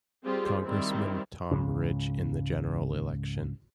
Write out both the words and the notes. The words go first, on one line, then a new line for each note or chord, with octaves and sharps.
Congressman Tom Ridge in the general election.
G3 C4 F4 G4 G#4
D#3 G3 C4 E4
C#2 G#2 C#3